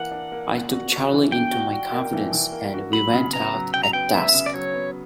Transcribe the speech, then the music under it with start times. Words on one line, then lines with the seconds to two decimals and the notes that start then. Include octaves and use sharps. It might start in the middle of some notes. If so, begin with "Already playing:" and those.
I took Charley into my confidence, and we went out at dusk.
Already playing: E3 A#3 F#5
0.11 D4
0.32 A#3
0.53 A#3
0.73 F#4
0.92 F#4
1.13 E3
1.32 D4 G5
1.52 F#4
1.73 F#4
1.92 A#3
2.13 E3
2.33 E3
2.52 A#3
2.74 F#4
2.93 F#3 B5
3.13 C#3
3.33 B3 A#5
3.54 F#3
3.74 C#3 G5
3.83 A#5
3.93 B3 G5
4.13 B3 E5
4.33 C#3
4.46 D5
4.54 F#3 C#5
4.73 B3